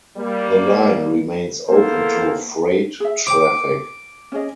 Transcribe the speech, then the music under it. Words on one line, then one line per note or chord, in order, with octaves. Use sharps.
The line remains open to freight traffic.
G3 A#3
E2 A#3 A4 C5
G#4 E5
C5 G5 D6
C#4 G#4 D#5